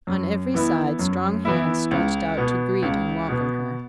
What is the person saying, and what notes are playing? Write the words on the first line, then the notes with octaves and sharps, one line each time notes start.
On every side strong hands stretched out to greet and welcome her.
F#2
E3 B3 E4
F#2
E3 B3 E4
C#2
B2 B3
C#2
B2 B3